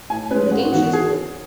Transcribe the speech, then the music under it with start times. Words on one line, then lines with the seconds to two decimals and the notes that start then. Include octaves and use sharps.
The Game Show Story.
0.10 A2 G#5
0.31 G#3 C#4 B4
0.51 G#2 F#4
0.72 E3 B3 F#4
0.93 G#4